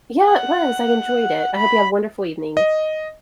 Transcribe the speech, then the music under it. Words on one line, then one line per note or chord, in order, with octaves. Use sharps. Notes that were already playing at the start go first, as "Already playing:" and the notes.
Yeah, it was, I enjoyed it, I hope you have a wonderful evening.
F#5
B5
D#5